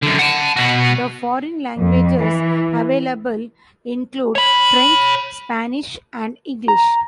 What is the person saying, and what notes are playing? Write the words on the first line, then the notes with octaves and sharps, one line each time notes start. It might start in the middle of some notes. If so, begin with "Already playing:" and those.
The foreign languages available include French, Spanish, and English.
F#2 D3
F#5 A5
B2 F#4
F2
E3
C#5 B5
A#5